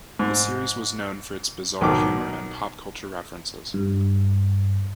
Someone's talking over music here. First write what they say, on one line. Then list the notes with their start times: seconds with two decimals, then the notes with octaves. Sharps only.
The series was known for its bizarre humor and pop-culture references.
0.19 G#2
1.81 B1 D#3 D6
3.74 G2